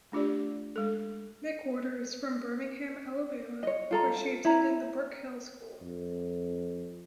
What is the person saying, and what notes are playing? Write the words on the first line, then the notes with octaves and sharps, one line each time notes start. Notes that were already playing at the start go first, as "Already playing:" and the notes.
McWhorter is from Birmingham, Alabama, where she attended the Brooke Hill School.
A3 D4 F4 G4 D5
G#3 A4
C#5 D#5
F4 A4 A#5
E4 A#5
F2